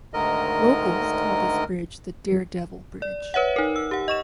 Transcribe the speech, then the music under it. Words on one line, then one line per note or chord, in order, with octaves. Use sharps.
Locals call this bridge the Daredevil Bridge.
D2 G#2 D3 D#3 A#4 D#5
D5
B4 C#5 E5 F#5
D#4 A#4
E6
G4 F#5
D#5 C#6 E7